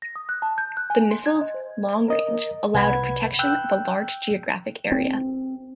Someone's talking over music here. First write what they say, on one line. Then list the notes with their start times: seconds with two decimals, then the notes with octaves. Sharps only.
The missile's long range allowed protection of a large geographic area.
0.02 A#6
0.16 D#6
0.29 F#6
0.42 A5
0.58 G6
0.77 F#6
0.90 G#5
1.11 C6
1.26 G#6
1.41 D#5
1.54 C5
2.08 A#4 D#5
2.74 C2 B4 F#5 B5 G#6
3.39 G5 E6 F#6 G6
4.92 C4